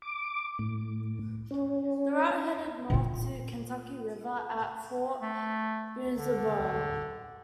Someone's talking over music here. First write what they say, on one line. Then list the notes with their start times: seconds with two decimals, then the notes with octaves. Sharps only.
The route headed north to the Kentucky River at Fort Boonesborough.
0.02 D6
0.59 A2
1.51 C#4
2.90 A#2 F4
5.22 A3
6.17 D3